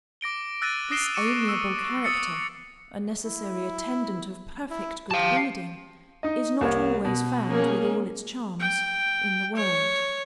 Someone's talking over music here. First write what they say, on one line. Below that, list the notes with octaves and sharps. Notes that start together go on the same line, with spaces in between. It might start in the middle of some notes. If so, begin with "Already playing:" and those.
This amiable character, a necessary attendant of perfect good breeding, is not always found with all its charms, in the world.
D6 A#6 D7 G7
E6 F#6 A6 A#6 D#7
D#6 A#6 C7 D7 E7 G7
C#6 D6 C#7 D#7 E7
E6
D#6 E6 A6 C#7
E4
E4
G4 F5 A5
D#4 D#5
C2 A#3 C#5
B2
A#3 C#4 G#4
G5
C#5